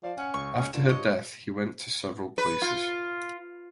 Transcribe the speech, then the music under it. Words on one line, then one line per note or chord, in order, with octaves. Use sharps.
After her death he went to several places.
F3 D5 F5
C#4 F#5 G#5
C#2 C#6
C#4
G2 D3 F4 E7
C#5 D#5
B4
F4